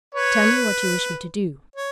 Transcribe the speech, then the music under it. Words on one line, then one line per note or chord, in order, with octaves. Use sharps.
Tell me what you wish me to do.
B4 C#5
C#5